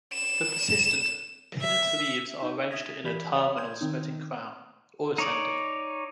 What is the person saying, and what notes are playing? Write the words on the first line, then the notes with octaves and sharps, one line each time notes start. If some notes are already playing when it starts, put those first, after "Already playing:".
The persistent, pinnate leaves are arranged in a terminal spreading crown, or ascending.
E7
E5
D#4
E5 D#6 G#6 A#6 B6
E3 G4 B5 B6
C#5 D5 E5 F#5 B5 D#6
C6 D#6 G6 G#6
D#3 C4 D#4
D#4 C#5 D5